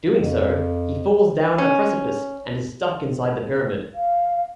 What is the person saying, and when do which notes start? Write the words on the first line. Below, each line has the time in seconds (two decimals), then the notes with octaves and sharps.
Doing so, he falls down a precipice and is stuck inside the pyramid.
0.20 F2
1.58 C#4
3.94 F5